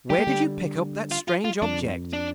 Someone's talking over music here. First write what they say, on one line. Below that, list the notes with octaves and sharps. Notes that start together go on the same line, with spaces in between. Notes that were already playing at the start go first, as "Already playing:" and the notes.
'Where did you pick up that strange object?
G3 G4
A#3
D3 G3
F4
F4
F4
F2 D4
D4